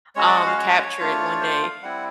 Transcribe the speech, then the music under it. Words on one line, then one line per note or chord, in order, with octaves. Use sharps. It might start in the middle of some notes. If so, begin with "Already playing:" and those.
um, capture it one day
G#3 C#4 F#4 C#5
D5
F#5
F5
C#5
A3 D4 F4
C5
F5
G3 C4 E4 F#5